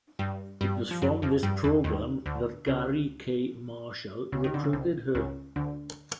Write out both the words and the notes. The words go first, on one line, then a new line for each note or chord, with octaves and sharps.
It was from this program that Garry K. Marshall recruited her.
G2 G3
G2 G3
F3
F#2 F#3
F2 F3
G2 G3
E2 E3
D#2 D#3
D2 D3
C#2 C#3
C#2 C#3
D#3
D3
C#3
C2 C3
C#2 C#3
D2 D3